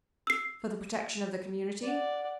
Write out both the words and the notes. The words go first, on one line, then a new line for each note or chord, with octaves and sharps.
"For the protection of the community?"
E6 C7
D5 F#5